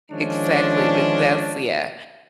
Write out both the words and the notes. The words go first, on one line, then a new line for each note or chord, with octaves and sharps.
Exactly, big that's yeah.
D#3 F3 G#3 C#4 D4